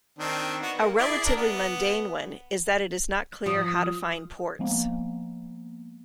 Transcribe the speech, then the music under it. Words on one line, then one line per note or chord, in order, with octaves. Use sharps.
A relatively mundane one is that it is not clear how to find ports.
D#3 C4 D4
B3 F#4
A#3
E4 G#4 D5
D4 A#4
B3
F3 D#6
F3 G#3 A#3 B3